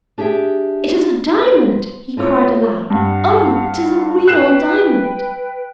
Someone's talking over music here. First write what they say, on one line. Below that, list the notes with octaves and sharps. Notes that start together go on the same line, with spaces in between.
"It is a diamond!" he cried aloud; "oh, it is a real diamond!"
D4 G4 G#4 E5 G5
B3 C5
A2 C4 F4 C#5
G2 F5 F#5
B4 G5 F#6 C7 E7